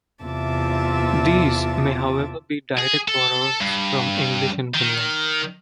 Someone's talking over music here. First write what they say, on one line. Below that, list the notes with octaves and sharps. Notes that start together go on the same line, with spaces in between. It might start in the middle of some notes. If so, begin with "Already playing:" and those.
These may, however, be direct borrowings from English in Finland.
E2 C3 F4 E5 A5 D6
G#4
A4
G2
D#3